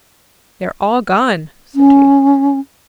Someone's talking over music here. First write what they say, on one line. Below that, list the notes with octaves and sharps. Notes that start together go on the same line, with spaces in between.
"They're all gone," said he.
C#4